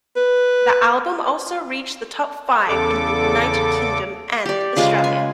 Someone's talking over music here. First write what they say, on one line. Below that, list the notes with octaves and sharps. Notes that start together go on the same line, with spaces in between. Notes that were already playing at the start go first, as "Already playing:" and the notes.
The album also reached the top five in the United Kingdom and Australia.
B4
E2 C#3 A4 D6
G4 D5
C#3 G#3 F4 B4
G#5